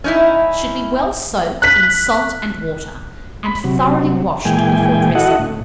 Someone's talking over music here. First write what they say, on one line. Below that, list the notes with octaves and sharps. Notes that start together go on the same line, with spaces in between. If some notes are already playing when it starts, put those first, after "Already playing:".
Should be well soaked in salt and water, and thoroughly washed before dressing them.
C#4 D#4 E4
F#6 B6
B5
C3 F#3
A#2 E3 G#3 G5 G#5
E4 F#4 A4 D#5 F#5
A2